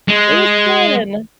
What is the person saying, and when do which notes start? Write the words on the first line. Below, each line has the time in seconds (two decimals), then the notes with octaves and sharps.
It was fun.
0.08 G#3